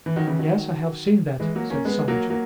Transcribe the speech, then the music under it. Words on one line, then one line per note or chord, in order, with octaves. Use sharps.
"Yes, I have seen that," said Sancho.
E3
D#3 F#3
C#3 E3
D#3 F#3
E3 G#3
F#3 A#3
A#3 C#4
G#3 B3
F#3 A#3
F#3 A#3